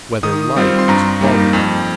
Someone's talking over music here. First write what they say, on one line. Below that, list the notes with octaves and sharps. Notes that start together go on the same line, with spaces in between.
Whether Light Is a Quality?
D#3 D#6
G3 C4 F4
C6
G2 A#5
G3 A#3 D#4
F2